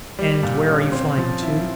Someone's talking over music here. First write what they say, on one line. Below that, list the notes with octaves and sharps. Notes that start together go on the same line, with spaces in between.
"And where are you flying to?"
G3
A#2
C#4
C4
F3
E4